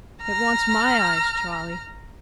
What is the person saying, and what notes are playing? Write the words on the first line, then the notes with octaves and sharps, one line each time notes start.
It wants my eyes, Charley.'
A#5 F6